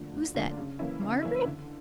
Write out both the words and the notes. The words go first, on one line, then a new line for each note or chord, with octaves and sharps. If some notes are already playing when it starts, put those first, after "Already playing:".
Who's that,--Margaret?
Already playing: D2 D3 F3 A#3 D4
D2
D3 F3 A#3 D4
C#3
E3 A#3 C#4 E4
C#3
E3 A#3 C#4 E4
D3